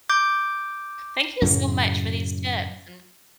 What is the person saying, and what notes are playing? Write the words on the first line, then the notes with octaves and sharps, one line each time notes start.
Thank you so much for these tips and
D6 G6
F#2 A2 C#3